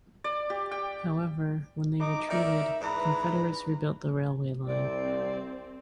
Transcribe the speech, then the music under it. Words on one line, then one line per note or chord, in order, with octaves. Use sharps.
However, when they retreated, Confederates rebuilt the railway line.
D5
G4
G5
D#4 D6
D#4 A#4 D5 E5
G#2 E3 D4 B4 A#5
C2 C4 D5